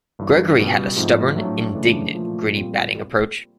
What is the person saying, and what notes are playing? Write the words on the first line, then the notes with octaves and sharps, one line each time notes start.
Gregory had a stubborn, "indignant", gritty batting approach.
G1 G2 E3 G3
C#2 B2 G3
G#2 F3 A3 C4 F4
A2 F#3 A3 D4
C#3 E3 A3 D4
A#2 F3 A3
A#2 G3 C4